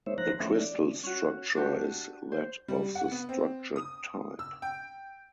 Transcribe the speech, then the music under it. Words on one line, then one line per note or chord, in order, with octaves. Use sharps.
The crystal structure is that of the structure type.
G#3 A#3 D#4 C5 C#5 E5
F3 C5 A#5 F#6 A#6
F3 A3 C#4 E5
D5
C#4 F#4
D4 F#4 G4
C5
G3
F#5
B3
C4
D#6
E6
G5